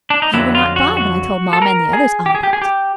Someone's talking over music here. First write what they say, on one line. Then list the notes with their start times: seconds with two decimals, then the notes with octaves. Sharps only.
You were not by, when I told mamma and the others all about it.
0.10 D4
0.22 D#4
0.34 F2 D3 F#3 E4
0.55 F4
0.76 F#4
0.97 F#4
1.53 A4
1.62 A#4
1.93 G#4
2.26 G4
2.35 G#4
2.43 G4
2.53 G#4
2.62 G4